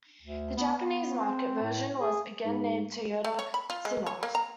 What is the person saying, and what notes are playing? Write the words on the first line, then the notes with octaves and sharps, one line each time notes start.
The Japanese market version was again named "Toyota Cynos".
D2
B3
B3
C4
A2
G#4
G#2
A3
C#5
B5
F4
G#3
C#5
A#3
A#5